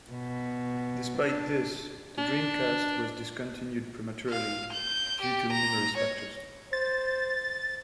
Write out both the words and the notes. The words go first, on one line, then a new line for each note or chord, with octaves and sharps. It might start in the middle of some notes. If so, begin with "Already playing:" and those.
Despite this, the Dreamcast was discontinued prematurely due to numerous factors.
B2
D4
D4
F5
G6
G4
A#5
C#5
C5 A6